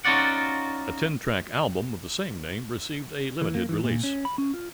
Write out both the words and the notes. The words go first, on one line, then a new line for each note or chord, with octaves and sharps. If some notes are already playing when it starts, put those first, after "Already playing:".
A ten-track album of the same name received a limited release.
C#4 D#4 F4 F#4 D5 F#5
E3
A#3
E3
A#2
C#4
B5
C#4
F4